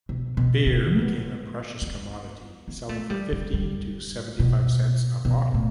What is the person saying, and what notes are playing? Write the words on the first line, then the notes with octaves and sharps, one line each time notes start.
Beer became a precious commodity, selling for fifty to seventy-five cents a bottle.
B2
B2
C3
B3
B3
B3
A3
G3
G3
G3
B2
B2
A2